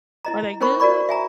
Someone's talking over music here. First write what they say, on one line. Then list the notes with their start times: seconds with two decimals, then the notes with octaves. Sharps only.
Are they good?
0.25 E4 D#5 A#5
0.61 C#4 D#4 A#4 C5 B5 C#6
0.80 F#4 A#4 D5 B5 C#6
1.09 E5 G#5 A#5